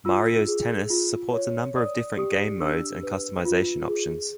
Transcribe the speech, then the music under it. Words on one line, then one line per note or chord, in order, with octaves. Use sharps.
"Mario's Tennis" supports a number of different game modes and customization options.
F4 E6
G#4
F4
C#5
D5 D#6
G4 D#6
D4 E6
B4
F4
G#4